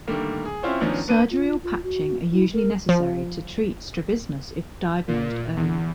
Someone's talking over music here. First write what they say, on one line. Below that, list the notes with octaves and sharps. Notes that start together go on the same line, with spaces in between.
Surgery or patching are usually necessary to treat strabismus if diagnosed early.
D3 D#3 G3 A3 A#3
G#4
C4 C#4 E4 F4 C5 C#5
D#3 F3 F#3 B3 C#4 D4
B3 D4 B4 A5 D#7
F4
F4
F#4
E4
A#4
F3
A#2
E2